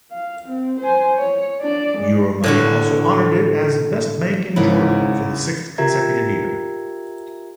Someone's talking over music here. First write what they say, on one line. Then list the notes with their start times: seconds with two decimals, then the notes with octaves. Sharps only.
Euromoney also honored it as "Best Bank in Jordan" for the sixth consecutive year.
0.11 F5
0.48 C4
0.80 C5 G#5
1.17 C#5
1.61 D4 D5
1.97 G#3
2.44 A2 D3 F#4
4.56 G#1 G#2 C#3 E4 A#4 F#5 B5
5.78 F4 G4 A#4 E5 A#5 G#6